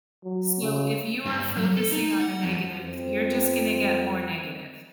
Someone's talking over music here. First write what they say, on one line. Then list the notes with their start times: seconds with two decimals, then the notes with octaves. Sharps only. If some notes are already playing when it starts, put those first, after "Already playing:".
So, if you are focusing on the negative, you're just gonna get more negative.
0.24 F#3
0.61 C#3
1.25 G2
1.56 F#3
1.76 A4
1.92 D#4
2.20 F#5
2.43 F2
2.83 F2 C4